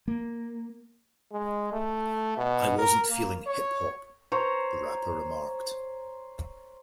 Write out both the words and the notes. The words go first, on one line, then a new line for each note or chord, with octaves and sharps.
"I wasn't feeling hip hop," the rapper remarked.
A#3
G#3
A3
B2
A#4
A#3
C#5
C5 C#5 A#5